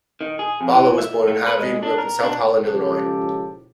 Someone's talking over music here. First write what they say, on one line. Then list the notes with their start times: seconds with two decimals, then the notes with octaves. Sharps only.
Boller was born in Harvey, and grew up in South Holland, Illinois.
0.21 D#3
0.39 G#4
0.61 F2
0.73 E3
0.98 E5
1.27 A3
1.47 B4
1.59 G#3
1.83 D4
1.98 A#4
2.23 D4
2.67 C#2 C#3 F3 G4 A4